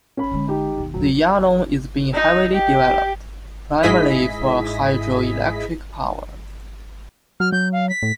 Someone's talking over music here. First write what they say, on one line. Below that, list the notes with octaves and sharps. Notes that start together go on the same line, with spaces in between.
The Yalong is being heavily developed, primarily for hydroelectric power.
C#4 B5
D3 G#3
D#4 G4
D#2 B2
B1 E2 F#3
D#4
G4
G#2 E4 G#4 D#5 B6
F#3 F6
F#3 G6
F5
B6
A2